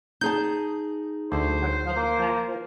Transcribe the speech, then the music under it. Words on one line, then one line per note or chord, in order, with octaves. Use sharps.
she talked about the fact that
D#4 G#4 A5 G6
D2 C5
A#3